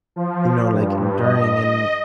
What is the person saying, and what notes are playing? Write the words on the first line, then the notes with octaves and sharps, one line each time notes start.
you know, like, enduring and
F3
G2
D#5